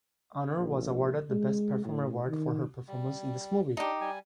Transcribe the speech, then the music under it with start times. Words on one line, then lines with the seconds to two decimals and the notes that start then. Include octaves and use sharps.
Aunor was awarded the Best Performer award for her performance in this movie.
0.57 A#1
1.30 G#3
1.85 A2
2.28 D#3
2.88 G3
3.77 D4 D#4 G4
4.01 G3 G#5